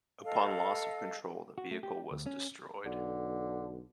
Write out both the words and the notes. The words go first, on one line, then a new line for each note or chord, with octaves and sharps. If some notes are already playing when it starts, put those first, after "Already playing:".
Upon loss of control, the vehicle was destroyed.
A4 D#5 F5
F#4
A3
G4
D2
C#4
B1 D3